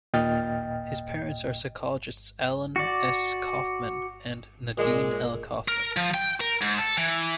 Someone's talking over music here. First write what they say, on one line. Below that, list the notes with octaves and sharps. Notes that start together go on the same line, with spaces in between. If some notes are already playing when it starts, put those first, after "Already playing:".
His parents are psychologists Alan S. Kaufman and Nadeen L. Kaufman.
D#2 A#2 D#5 G5 F6 A6
F#4 D5
A#2 G#3 D4
A#4
F3
G5
A#4
G#2
A4
E3